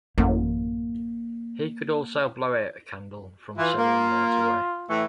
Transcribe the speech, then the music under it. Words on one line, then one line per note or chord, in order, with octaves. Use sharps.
He could also blow out a candle from several yards away.
A1 F#2 A#3
E3 F4
A#3
A2 E3 A3